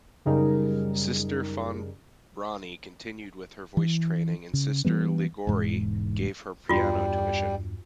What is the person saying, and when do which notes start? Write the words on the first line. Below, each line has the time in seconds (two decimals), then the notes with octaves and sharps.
Sister Febronie continued with her voice training and Sister Liguori gave her piano tuition.
0.25 F#2 C#3 G3 D#4 G#4 A#4
3.77 E3
4.54 C#3
4.85 E3 G3 B3
5.47 E1 G#2
6.69 E2 G2 G3 F4 F#4